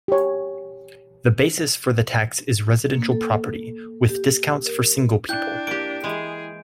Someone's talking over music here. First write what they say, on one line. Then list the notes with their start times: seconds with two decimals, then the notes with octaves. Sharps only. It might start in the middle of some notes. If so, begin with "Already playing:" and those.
The basis for the tax is residential property, with discounts for single people.
0.08 G4 C#5
2.94 A#3
3.12 A4
4.09 G4
4.65 A#4
5.29 D4 E4 G5 F#6 G6
5.67 A#3 G4 D7
6.04 E3 G#3 G#4